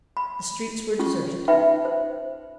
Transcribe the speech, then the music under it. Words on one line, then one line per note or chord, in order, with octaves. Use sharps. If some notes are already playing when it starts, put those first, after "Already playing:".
The streets were deserted.
B5
C#4 F4 C#6
D#4 B4 E5 G5 B5
C5